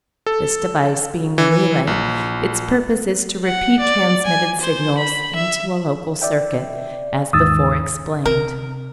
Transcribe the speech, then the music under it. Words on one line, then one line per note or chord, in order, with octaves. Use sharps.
This device being a relay, its purpose is to repeat transmitted signals into a local circuit, as before explained.
A4
E3
A#1
F#5
D5
G#5
C5
B5
E5
D5 E5 G5
D#2 G#2 D#3 D#6 E6 A6
C3 A#4